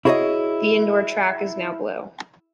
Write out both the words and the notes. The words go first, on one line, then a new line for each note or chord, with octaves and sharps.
The indoor track is now blue.
E4 F#4 G#4 A#4 C#5 D#5